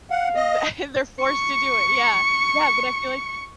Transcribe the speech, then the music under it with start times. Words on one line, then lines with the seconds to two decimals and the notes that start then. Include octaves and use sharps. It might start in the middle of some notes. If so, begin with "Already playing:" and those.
Mm, th they're forced to do it, yeah, yeah, but I feel like
0.11 F5 F#5
0.35 D#5
1.22 C#6 C#7